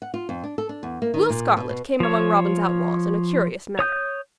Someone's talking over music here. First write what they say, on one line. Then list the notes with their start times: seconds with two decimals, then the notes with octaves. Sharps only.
Will Scarlet came among Robin's outlaws in a curious manner.
0.02 F#5
0.14 F4
0.29 F2
0.44 D4
0.58 A4
0.69 D4
0.83 E2
1.02 A#3
1.14 D#3
1.30 A#2
1.57 B2
1.70 B2
2.00 F3 C#5
3.79 C#5 D#6 G6